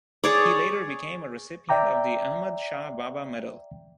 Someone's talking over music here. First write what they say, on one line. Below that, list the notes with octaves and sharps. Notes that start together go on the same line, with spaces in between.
He later became a recipient of the Ahmad Shah Baba Medal.
G#4 C#5 D5
D5 E5 G5 A#5 D6